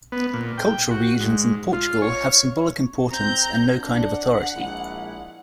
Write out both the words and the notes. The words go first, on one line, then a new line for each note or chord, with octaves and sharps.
Cultural Regions in Portugal have symbolic importance and no kind of authority.
B3
A#2
G5
F#4
G#2
F4
C#5
C4 A#5 G6
D4 F#5
A#1 G#3 E4